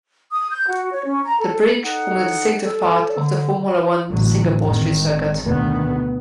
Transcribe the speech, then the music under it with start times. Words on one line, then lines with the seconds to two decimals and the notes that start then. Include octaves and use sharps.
The bridge forms a distinctive part of the Formula One Singapore Street Circuit.
0.31 D#6
0.51 G6
0.68 F#4
0.92 C#5
1.06 C#4
1.24 A#5
1.40 A4
1.84 D#4 A4 F#5
2.64 A4
3.17 D3
4.09 A1 A2 D3 F#3
4.64 G#1 D#3
5.45 D2 B2 D#3 B3